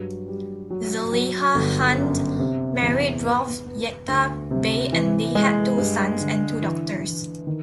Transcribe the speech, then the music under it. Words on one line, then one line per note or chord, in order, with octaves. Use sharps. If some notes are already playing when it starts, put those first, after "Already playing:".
Zeliha Han married Rauf Yekta Bey and they had two sons and two daughters.
Already playing: G2 F#3
G3
F#3
F#3
G1
F#2
C3
E2
B3
B3
D2
C3
E3
G#3
G2
D3
E3
E3
D#3